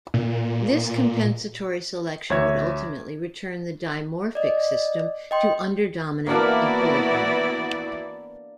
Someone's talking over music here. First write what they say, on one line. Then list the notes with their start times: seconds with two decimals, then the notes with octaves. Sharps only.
This compensatory selection would ultimately return the dimorphic system to underdominant equilibrium.
0.14 A#2
2.30 D2 C#5 E5 G#6
4.35 D5 D#5
5.31 D#5 G5 C6
6.27 E3 A#3 B3 D4 E4 F#4 D5 F5